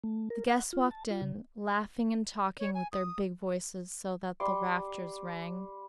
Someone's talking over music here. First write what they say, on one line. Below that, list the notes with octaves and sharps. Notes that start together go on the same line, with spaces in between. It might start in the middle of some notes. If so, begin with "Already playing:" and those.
The guests walked in laughing and talking with their big voices so that the rafters rang.
A3
A#4
F#5
F4
A5
F4
C#3
C#5
G#5
D#6
G3 C6 D6